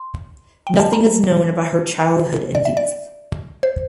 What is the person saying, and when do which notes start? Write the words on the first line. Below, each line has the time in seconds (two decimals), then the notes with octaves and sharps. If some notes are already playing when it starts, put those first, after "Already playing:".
Nothing is known about her childhood and youth.
Already playing: C6
0.67 G5
0.79 A5
0.93 A#5
2.55 D5
2.65 E5
2.77 D5
3.63 C5